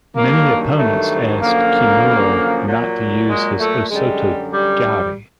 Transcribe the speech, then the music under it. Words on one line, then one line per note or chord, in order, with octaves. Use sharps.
Many opponents asked Kimura not to use his osoto gari.
G2 D#3 F#3 A#3
A3
F#2 D3 F3 A#3
A#2 F#3
G#3
A3
F#2 D3 G3 G#3
G3